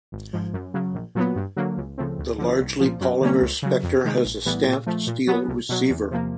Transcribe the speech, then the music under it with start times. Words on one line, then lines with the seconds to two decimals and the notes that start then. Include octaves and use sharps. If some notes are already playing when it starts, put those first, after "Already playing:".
The largely polymer Spectre has a stamped-steel receiver.
0.12 G#1
0.33 G#2 F3
0.53 F#2
0.74 C#3 F#3
0.94 A#1
1.15 A#2 F#3 B3
1.36 G2
1.57 D3 F#3 A#3
1.77 C#2
1.98 C#3 F3 A3 C4
2.19 D2
2.38 D3 F3
2.60 C2
2.80 A#2 F3
3.01 F#2
3.21 D3 G3 A#3 C#4
3.42 C#2
3.62 C#3 F#3
3.83 F2
4.04 C3 D#3 G#3
4.25 A#1
4.46 A2 E3 G3 B3
4.66 A#2
4.87 F3 A3
5.07 A#2
5.27 F#3 B3
5.48 C2
5.69 B2 F#3
5.90 E2
6.11 C3 F3 A#3